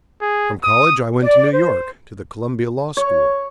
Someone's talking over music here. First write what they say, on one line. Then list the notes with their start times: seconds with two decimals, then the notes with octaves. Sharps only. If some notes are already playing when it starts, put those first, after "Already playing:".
From college I went to New York, to the Columbia Law School.
0.22 G#4
0.64 D#6
1.22 D5
1.53 C5
2.97 C#5